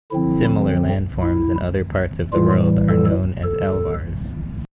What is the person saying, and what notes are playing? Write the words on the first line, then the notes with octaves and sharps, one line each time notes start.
Similar landforms in other parts of the world are known as alvars.
D3 F3 C4 E4
E4
A2 E3 G3 F4
A4
A4